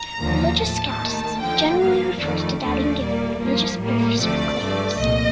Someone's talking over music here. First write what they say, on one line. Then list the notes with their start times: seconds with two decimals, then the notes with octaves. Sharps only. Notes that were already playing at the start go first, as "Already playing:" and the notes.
Religious skepticism generally refers to doubting given religious beliefs or claims.
Already playing: A#5
0.20 D#2 D3 F3 A#3
0.60 A2 A3 A5
0.99 D#2 D#3 A3
1.40 D#2 D3 F3 G5
1.80 G2 F3 A#3 F5
2.20 F2 D#3 A3 D5
2.60 D#2 D3 F3 A3 D5
3.00 A#2 G3 A#3
3.40 G2 F3 A#3
3.80 A2 G3 A#3
4.20 D2 C3 F3 A3 D5
4.61 G2 F3 A3
5.00 C2 A#2 D#5